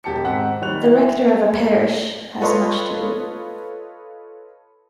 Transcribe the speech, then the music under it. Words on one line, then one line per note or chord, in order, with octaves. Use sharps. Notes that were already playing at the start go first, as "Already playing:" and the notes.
The rector of a parish has much to do.
E1 G4 A5 C#7
G#2 D#3 C4 F#5 B6
D#2 D#3 G3 C#5 F#6 F7
E4
F4 A4 B4 C#5 D#5 C6